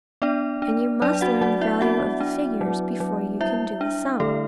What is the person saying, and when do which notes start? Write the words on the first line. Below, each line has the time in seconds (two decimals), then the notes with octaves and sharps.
And you must learn the value of the figures before you can do a sum.
0.22 B3 D4 D5
0.62 D4
1.02 F#3 D4 D5
1.21 F#4 F#5
1.41 F#3 F#4 F#5
1.61 E4 E5
1.81 B3 F#4 F#5
2.21 D4
2.61 F#3
3.00 F#3
3.40 G3 E4 E5
3.81 D4
4.20 D3 A3 A4